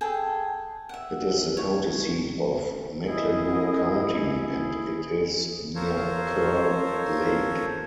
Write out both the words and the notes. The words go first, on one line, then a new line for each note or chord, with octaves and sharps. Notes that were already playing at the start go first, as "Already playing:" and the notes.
It is the county seat of Mecklenburg County, and it is near Kerr Lake.
G#4 A4 G5 A5
E5 F#5
C#5
E4 G#4 D#5
F4 A4 A#4 C5 C#5